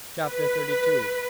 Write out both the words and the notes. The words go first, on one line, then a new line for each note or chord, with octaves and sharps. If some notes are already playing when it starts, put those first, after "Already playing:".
Chap. XXXII.
B4